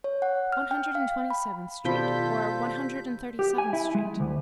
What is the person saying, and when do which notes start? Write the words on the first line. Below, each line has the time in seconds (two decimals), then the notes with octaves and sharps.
One Hundred and Twenty-seventh Street--or One Hundred and Thirty-seventh Street....
0.04 C#5
0.22 F#5
0.52 F6
0.71 G5
0.95 F5
1.30 B5
1.85 B2 D#3 F3 G3 F4 A4 G6 B6
3.39 G4
3.58 G#5
3.73 E4
3.95 G#3
4.20 D2